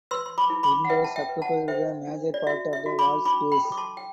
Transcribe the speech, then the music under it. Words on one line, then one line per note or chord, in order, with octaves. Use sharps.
Windows occupied the major part of the wall space.
B4 C6 E6
C6
B5 D6
E4
B5 D6
F#5
B4 E5 G5
A5
E5 G5
B4
F#5 A5
C5 E5 G5
D4
D5
F#4 E5
E5
F#4
B5 D6
D4 B5 D6
G5 B5
A4
D6
A5 C6
G5